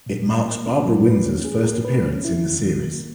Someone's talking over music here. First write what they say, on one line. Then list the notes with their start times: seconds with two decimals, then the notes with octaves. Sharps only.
It marks Barbara Windsor's first appearance in the series.
0.06 A#2
0.25 A#2
0.45 A#3
0.66 C#4
0.85 F#3
1.05 B4
1.26 C#4
1.45 G#4
1.64 A#3
1.85 B4
2.05 C#4
2.25 E4
2.44 D#3
2.64 D#3
2.84 A#3